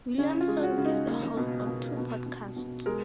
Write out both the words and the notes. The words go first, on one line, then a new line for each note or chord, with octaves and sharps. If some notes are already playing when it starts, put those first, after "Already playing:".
Williamson is the host of two podcasts.
C#3 C#4
F4
G#3
F#4
C#3
D#4
A#3
B2
B2
B2
B2
B2
G#3 A#4